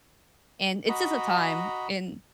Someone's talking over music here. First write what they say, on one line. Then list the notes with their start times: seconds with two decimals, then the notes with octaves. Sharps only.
and it's just a time and
0.89 F#4 D#5 A#5 B5